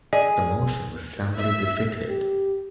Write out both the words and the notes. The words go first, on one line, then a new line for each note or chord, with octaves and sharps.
The motion was soundly defeated.
G#4 D5 D#5
E5
G4